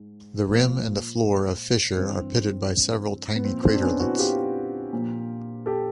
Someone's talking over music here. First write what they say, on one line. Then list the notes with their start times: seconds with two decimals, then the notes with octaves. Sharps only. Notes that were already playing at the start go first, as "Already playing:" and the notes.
The rim and the floor of Fischer are pitted by several tiny craterlets.
Already playing: G#2
0.49 A#2 F3
1.97 G2 E3 C4
3.36 B3
3.45 A#2 F3 C4
3.63 C4
3.73 D4
3.82 B3 C#4
4.00 E4 F#4
4.19 F4 G4
4.93 A#2 F3
5.66 G4 A4